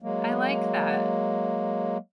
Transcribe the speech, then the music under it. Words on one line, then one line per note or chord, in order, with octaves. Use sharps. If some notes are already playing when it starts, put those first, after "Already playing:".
I like that.
F#3 G#3 A#3